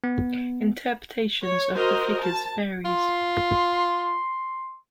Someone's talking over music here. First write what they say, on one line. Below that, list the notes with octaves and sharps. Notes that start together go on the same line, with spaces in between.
Interpretations of the figures varies.
B3
C#5
F#4 A#4 C5 D#5
A5
F4 C6